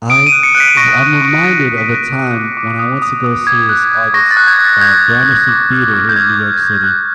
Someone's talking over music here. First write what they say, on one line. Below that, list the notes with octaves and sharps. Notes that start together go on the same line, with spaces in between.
I w I'm reminded of a time when I went to go see this artist at Gramercy Theater here in New York City
D#6 D7
D#7
F#6
C#7
F#6
B6
C#6 A#6
C#6
C#6
C#6 A#6
B6
F#6
B6
F#6
A#6
D6
D6
D6
D#6
D#6
D#6
D6 G#6
F#6
F#6
C#6 A#6
A6
F#6
G#6
F#6
A6
G6 G#6
G6
G6
D6
F6
D6
G6
F6 G#6
D6
D6
F#6